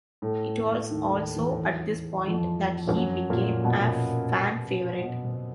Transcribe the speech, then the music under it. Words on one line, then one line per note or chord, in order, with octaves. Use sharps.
It was also at this point that he became a fan favourite.
A2 A3
D#2 D#3
D#2 D#3
E2 E3
F2 F3
F3
F#2 F#3
A#2 A#3
B2 B3
B2 B3
C3 C4